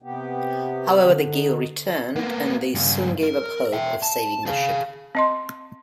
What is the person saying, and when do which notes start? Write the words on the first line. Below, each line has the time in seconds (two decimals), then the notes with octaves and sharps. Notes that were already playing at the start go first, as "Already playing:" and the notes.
However the gale returned and they soon gave up hope of saving the ship.
0.02 C3 B3 G4
1.03 D3
1.29 D#4
2.16 A#3 B3
2.75 G2 C#3
3.23 A#4
3.73 E5 G5
4.03 A5
4.46 G#4 F5
5.15 C4 D#5 C6